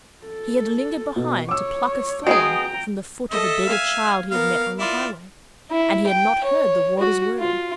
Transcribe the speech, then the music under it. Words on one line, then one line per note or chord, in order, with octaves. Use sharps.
He had lingered behind to pluck a thorn from the foot of a beggar child he had met on the highway, and he had not heard the Warder's words.
A4
B2
C#5 D6 E6
G#3 B3 F#4 G#4 G5 A#5
A4 D#5 E5
F5 G#5
B3 A#4 F5
E4 F4 D5
E4
G5
C#5
F#4
F4